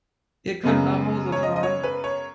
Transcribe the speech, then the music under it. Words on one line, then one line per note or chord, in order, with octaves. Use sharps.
Ihr könnt nach Hause fahren!
F#2 C#3 G#3 B3
C#5
D#5
D#5
C#5
B4
C#5